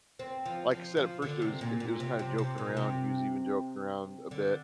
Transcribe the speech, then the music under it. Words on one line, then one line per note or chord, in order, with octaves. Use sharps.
like said, at first it was k it was kinda joking around. He was even joking around a bit,
C4
F3
F3
F3
D3
C3
A#2
A#2
C3
C3
C3
A#2
C3
D3